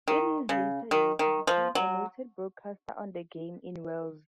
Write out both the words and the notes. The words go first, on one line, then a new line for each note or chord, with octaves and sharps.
In his later years he became a noted broadcaster on the game in Wales.
D#3
C#3
D#3
D#3
F3
F#3